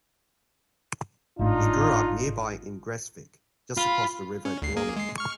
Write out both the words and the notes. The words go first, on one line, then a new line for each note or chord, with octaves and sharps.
He grew up nearby in Gressvik, just across the river Glomma.
G#1 A2 D4 D#4 F4
F4 B5
C#4
D2 C7
A#3 G#4
G#3 C7
C#6 F6